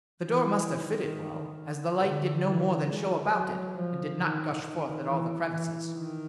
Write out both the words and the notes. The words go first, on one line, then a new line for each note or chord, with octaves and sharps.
The door must have fitted well, as the light did no more than show about it, and did not gush forth at all the crevices.
E3
D#3
D3
E3
G#3
F#3
F3
D#3
D#3
E3
E3
D#3